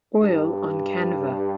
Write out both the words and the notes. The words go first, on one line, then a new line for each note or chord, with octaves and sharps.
Oil On Canva.
G2